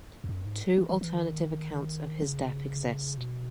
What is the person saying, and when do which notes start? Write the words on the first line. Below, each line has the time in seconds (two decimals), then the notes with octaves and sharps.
Two alternative accounts of his death exist.
0.24 E2
0.29 F#2
0.45 G#2
0.78 E3
0.89 E3
1.01 E3
1.13 D#3
2.22 C#3
3.17 B2